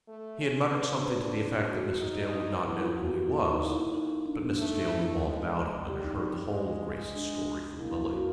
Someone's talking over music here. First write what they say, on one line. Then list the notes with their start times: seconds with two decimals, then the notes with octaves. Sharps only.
He had muttered something to the effect that Mrs. Dale would not know who he was; but Mrs. Dale knew all about him, and had heard the whole of Grace's story from Lily.
0.08 A3
0.40 C#4
0.72 D4 B4
0.88 C5
1.05 B4
1.21 A#4
1.36 G#4
1.69 F#4
2.00 D#4
2.65 B3 E4
2.81 F4
2.97 A#3 F#4
3.13 G4
3.29 A4
3.50 D#4
3.62 E4
3.94 D#4
4.26 D4
4.58 A3 D#4
4.90 E4
5.22 G#3
5.87 G3 G4
6.03 D#4
6.19 D#4
6.50 G#3
7.15 D4
7.79 A#3 E4
8.12 F#4